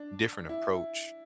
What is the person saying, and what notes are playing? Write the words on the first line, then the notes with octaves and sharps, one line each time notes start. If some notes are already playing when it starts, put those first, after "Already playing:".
different approach
Already playing: D4
E4